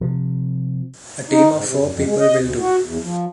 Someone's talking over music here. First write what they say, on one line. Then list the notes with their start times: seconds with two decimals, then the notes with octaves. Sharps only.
A team of four people will do.
0.01 C3 F3
1.31 D#4
1.53 G#2
1.66 C3
1.80 F#2
1.91 F2
2.06 G#3
2.19 D#5
2.40 D2
2.60 F#4
2.84 E2
3.02 F3